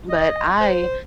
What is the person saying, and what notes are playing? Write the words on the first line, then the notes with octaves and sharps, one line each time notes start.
But I
D#5
C5